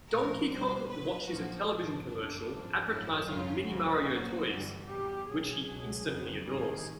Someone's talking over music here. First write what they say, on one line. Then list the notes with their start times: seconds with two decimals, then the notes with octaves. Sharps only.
Donkey Kong watches a television commercial advertising Mini-Mario toys, which he instantly adores.
0.08 A#1 A2 F3 A#4
0.49 B1 B2 G3 C5
0.88 A#1 A#2 F#3 B4
1.28 A#1 A#2 F3 F#4
1.68 A#1 G#2 F3 D4
2.07 G1 F#2 D3 D4
2.47 G#1 G#2 F3
2.86 A1 G2 D3 F#3 E4
3.26 G#1 F#2 C#3 F#3 F4
3.66 D#2 C#3 F3 F#4
4.06 A#1 A#2 F#3
4.45 G1 G2 E3 G3
4.85 E2 B2 G3 G4
5.25 B1 A#2 F#3 G#4
5.65 C#2 B2 F#3
6.04 F2 C#3 F#3
6.44 A1 G#2 D#3 G3 G#4